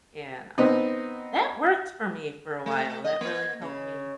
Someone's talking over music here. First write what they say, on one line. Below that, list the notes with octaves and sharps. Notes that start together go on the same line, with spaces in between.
And, um, that worked for me for a while, that really helped me
B3 C4 D#4
A3
D#5
A#3
C#3